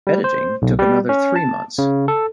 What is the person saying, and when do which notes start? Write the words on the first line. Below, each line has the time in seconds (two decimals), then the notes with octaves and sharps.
Editing took another three months.
0.07 G3
0.24 C5
0.62 B1
0.79 G3
1.09 C#4
1.36 A5
1.78 C#3
2.08 A4